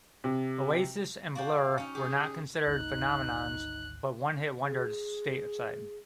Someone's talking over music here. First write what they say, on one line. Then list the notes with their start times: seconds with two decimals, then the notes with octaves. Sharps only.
Oasis and Blur were not considered phenomenons but one-hit wonders stateside.
0.24 C3
1.35 F#4 D5 F5 G5
1.78 C#4 D#4
1.95 G4 G#4
2.67 G#1 D2 D#4 F#6
4.64 G#4